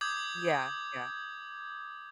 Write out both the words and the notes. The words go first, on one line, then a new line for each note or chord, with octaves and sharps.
Yeah. Yeah.
D6 D#6 G6 G#6